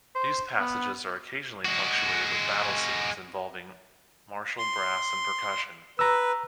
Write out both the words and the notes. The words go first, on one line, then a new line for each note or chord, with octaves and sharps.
These passages are occasionally punctuated with "battle scenes" involving martial brass and percussion.
C5
B3
G#3 F#4
C6
B4 A#5 E6